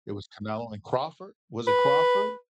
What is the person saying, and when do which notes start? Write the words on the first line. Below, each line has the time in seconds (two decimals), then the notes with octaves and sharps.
It was Canelo and Crawford? Was it Crawford?
1.67 B4